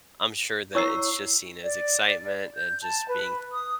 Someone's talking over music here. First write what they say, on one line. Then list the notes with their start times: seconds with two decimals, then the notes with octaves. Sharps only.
I'm sure that it's just seen as excitement and just being
0.75 E4 C#5 A#5 C#6 E6 C7
1.63 D5
2.55 G6
2.83 A5
3.08 B4
3.52 D#6